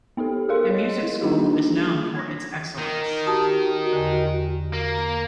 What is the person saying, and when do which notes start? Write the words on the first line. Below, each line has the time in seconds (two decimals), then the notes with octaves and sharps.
The music school is known for its excellence.
0.17 B3 D#4 G4 A4
0.49 G#4 A#4 F5 C6
0.70 C#5 D#5
1.03 E4
1.21 G3 A#3 D4 D#4 F#4 G#4
2.15 G#6 A#6
2.78 D#3
3.26 F#4 G4 A5 D#6
3.93 E2 D3
4.73 A#3